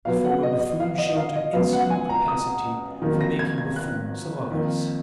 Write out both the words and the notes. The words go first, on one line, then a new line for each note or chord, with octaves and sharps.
The former buffoon showed an insolent propensity for making buffoons of others.
B2 F#3 B3 F5
F#5
D#5
D#5
F5
D#5
F5
D#5
C#2 B2 F#3 B3 F5
F#5
G#5
A#5
D#6
F2 D#3 F#3 A#3
A#6
G#6
G#6
F#6
F2 D#3 A#3